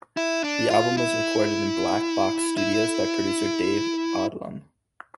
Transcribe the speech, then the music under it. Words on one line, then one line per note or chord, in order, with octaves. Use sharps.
The album was recorded in Black Box Studios by producer Dave Odlum.
E4
D4
F4
E4
E4